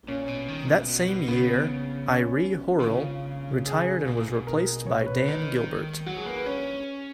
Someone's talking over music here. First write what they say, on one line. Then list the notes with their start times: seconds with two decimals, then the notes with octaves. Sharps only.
That same year, Irie Horrall retired and was replaced by Dan Gilbert.
0.08 A#2 C#4
0.28 B2
0.48 D#3
0.68 B2
0.88 B2
1.08 B2
1.28 C#3 B3
2.08 C#4
2.80 D#3
2.87 C#3 F4
3.67 G#4
4.07 A#2
4.26 B2
4.47 A#4
4.86 C#5
5.06 B4
5.27 D#3
6.06 F#3 F#4
6.16 G#4
6.26 A#3 B4
6.36 B4
6.46 C#4 C#5